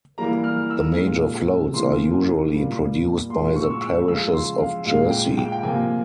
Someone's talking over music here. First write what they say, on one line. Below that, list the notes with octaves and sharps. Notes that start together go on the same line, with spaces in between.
The major floats are usually produced by the parishes of Jersey.
E3 G3 A#3 A#5
F6
E6
G#3
A#2
C3 E3 A#3 C6
A#2 G3 A#3
A#2 G#3 C6
C#6
E6
C#6
E6
C#3 F3 G#3 E6
C6
F5
A#2 G#3 F5
G5
G5
G5
C3 F3 A#3 G#5